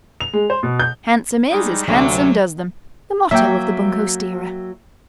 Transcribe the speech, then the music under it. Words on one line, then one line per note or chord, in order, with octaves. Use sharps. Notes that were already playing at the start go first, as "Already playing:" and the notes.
"Handsome is as handsome does them"--the motto of the bunco steerer.
F7
G#3
C5
B2
G6
G3 G#3 D#4
D2 C3 F#3 F#4 D5
F#3 A#3 E5 G5